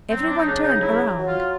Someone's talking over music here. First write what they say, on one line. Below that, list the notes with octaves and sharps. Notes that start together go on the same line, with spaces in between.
Every one turned round.
F#3 C4
D4
D#4
C#3 D4
D#4
D#4
F#3 E4
F#3
F4